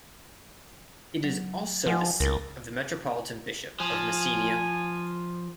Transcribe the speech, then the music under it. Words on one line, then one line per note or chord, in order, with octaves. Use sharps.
It is also the seat of the Metropolitan Bishop of Messenia.
F#3
F3 D#5 F#5 G#5
C#2 A#4 A6
F3 G#5